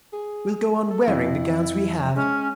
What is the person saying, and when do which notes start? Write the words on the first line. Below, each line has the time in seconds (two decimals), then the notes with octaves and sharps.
We'll go on wearing the gowns we have.
0.13 G#4
0.91 A4
1.08 F2 E4
2.15 G#3 C#4